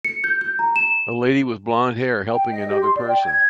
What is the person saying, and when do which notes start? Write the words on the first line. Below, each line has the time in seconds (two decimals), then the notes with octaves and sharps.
A lady with blondhair helping another person.
0.05 C#7
0.24 G6
0.41 G6
0.59 A#5
0.76 E7
2.29 G5
2.51 D#5
2.68 G4
2.83 C6
2.96 D5
3.09 G5
3.25 G#6